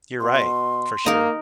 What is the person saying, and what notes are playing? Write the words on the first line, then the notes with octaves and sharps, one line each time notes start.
you're right. For sure.
B2 C6
A#3 D#4 A#4